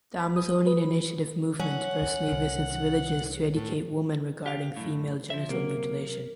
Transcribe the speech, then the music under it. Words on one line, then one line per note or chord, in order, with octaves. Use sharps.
The Amazonian Initiative Movement personally visits villages to educate women regarding female genital mutilation.
B5
D#6
B4
F#3 C#4 F#5
C2 D#3
A2
G4 F5
F#2 A2
F3 E5
C3 F#3 A#3 A#4